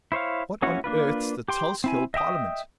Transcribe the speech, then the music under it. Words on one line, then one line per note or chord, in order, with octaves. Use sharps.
'What on earth's the Tulse Hill Parliament?'
E4 C5 C#5 F5
A#3 C#4 E4 F#4 C#5
A#3 D4 F4 B4
G4 G5 C6
C4 E4 G#5
D#5 E5 G5 D#6